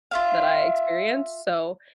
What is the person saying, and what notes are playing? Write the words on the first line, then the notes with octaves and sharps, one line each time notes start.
that I experienced. So,
F4 E5 F5